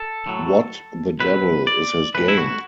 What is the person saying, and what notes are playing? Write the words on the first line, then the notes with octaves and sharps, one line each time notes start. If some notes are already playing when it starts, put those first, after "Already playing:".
What the devil is his game?
Already playing: A4
A2 F#3
B2 F#3 B4
D5
A2 E3 B4
E4
F#4